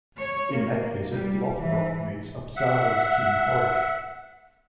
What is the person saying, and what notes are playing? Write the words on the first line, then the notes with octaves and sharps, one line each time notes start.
In that visit Lothbrok meets Uppsala's King Horik.
C#5
A#3
G3
E3
E5 F#5